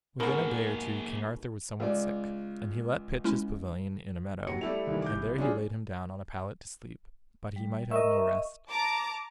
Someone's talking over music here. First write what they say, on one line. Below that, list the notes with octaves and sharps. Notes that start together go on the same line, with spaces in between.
WITHIN a day or two King Arthur was somewhat sick, and he let pitch his pavilion in a meadow, and there he laid him down on a pallet to sleep, but he might have no rest.
G#2 B2 A#3 G#4 A#4 F#5
C#2 D5
G#3 C#4 E4
D#2 F#3 C#7
G3 A3 E4 F7
C2 D#3 E3
D6 G6
G1
G3 C#4 D4 F4 G#4
G3
A#4 D#5 E5 C#6
A5 A#5 D6